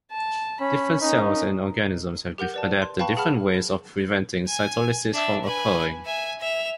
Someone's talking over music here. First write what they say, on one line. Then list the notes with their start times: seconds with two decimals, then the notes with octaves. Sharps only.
Different cells and organisms have adapted different ways of preventing cytolysis from occurring.
0.11 A5
0.60 C#4 B5
1.01 A#3 C#4 D#4
2.38 G4 A#4 F#5 G6
2.54 B4 D5 A5
2.82 C6
2.99 B4 F5 G5 A5 B5 C#6
3.17 G#4 F#5 A5 B5 F6
4.47 G#5
5.13 D4 E5
5.44 B4 G#5
6.06 E5 G#5
6.40 E5 F7